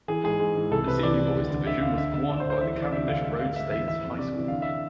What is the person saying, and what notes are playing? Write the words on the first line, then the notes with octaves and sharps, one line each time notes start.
The Senior Boys division was won by Cavendish Road State High School.
E3 G#4
G#2 G#4
G#2
E3
C2 A4
C3 B4
E3 D5
E3
D2
D3
D3 E5
D2 F5
D3 E5
D3 E5
D2 D5
C5
D2
C5
E3 E5
E3
D5
C3 E5
D2 F5
G#2 E5
G#2 F5
G#2 E5
E3 E5
E3 E5
F2
C3 D5
E3
D3 F5
E5